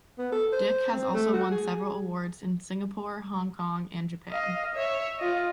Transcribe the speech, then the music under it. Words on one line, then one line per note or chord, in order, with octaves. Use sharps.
Dick has also won several awards in Singapore, Hong Kong and Japan.
B3
A4
C5
C4
A3
F#4
G#4
D#5 F5
C#5 E5
F4 D#5